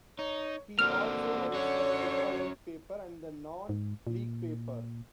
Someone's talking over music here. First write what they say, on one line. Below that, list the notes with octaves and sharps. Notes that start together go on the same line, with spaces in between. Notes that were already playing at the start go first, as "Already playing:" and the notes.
He also writes for the Football League Paper and the Non-League Paper.
D#4 C#5
D3 A#3 C4 F#4 F6
C#4 F#4 C#5
G#2
A#2